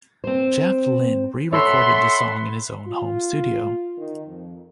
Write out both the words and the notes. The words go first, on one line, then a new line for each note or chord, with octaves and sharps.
Jeff Lynne re-recorded the song in his own home studio.
C4 C5
A4 C#5 E5 F#5 B5 C6
F4
D#3
F2